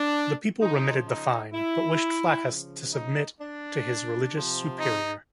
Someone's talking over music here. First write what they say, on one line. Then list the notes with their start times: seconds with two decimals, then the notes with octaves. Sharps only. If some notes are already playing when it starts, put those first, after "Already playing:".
The people remitted the fine but wished Flaccus to submit to his religious superior.
Already playing: D4
0.61 C#3 F3 D#4
1.07 D#4
1.54 E4
2.47 C#3 F3
2.93 D#4
3.40 D4
4.32 C3 F3
4.79 D#4